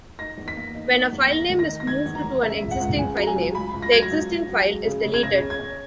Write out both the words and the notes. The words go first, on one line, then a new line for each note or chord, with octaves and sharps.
When a filename is moved to an existing filename, the existing file is deleted.
D#4 A#6
E2
B6
A#3
D#4
A#3
E2
D#4 A#6
D#3
A#6
D#4
A#6
D#3 G#6
E2
A#5
E2
C#3 E5
C#2
F#5
C#2
C#3 G#5
F#3 A#5
G#5
C#2
C#2 B5
C#2
A#6
F#3 G#6
A#6
C#2
C#2
F#3
G#3
C#3
C#3
G#6
C#3 A#6
C#4
G#6
C#4